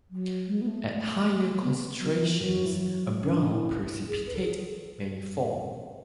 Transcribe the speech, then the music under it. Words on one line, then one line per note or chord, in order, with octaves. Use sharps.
At higher concentrations, a brown precipitate may form.
F#3
G#3
B3
A3
B3
B3
F#3
F#3
E3
F#3
E3
F#3
F#3
C#4
D4
E4
G#4
B4
A4
G#4